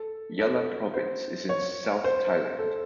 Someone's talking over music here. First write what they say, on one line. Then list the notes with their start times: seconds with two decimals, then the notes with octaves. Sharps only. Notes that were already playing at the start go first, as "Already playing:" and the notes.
Yala Province is in south Thailand.
Already playing: A4
0.39 A4
0.94 C5
1.49 C#5
2.04 C5
2.59 A4